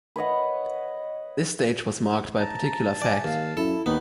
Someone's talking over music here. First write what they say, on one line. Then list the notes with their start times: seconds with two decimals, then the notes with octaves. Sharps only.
This stage was marked by a particular fact.
0.16 B4 C#5 D#5 F#5
2.39 A5 A#5
3.02 D5 G#5
3.24 D#2 F5
3.57 F#2 E4 A4
3.86 D#2 D#3 E3 B3 D#4 B5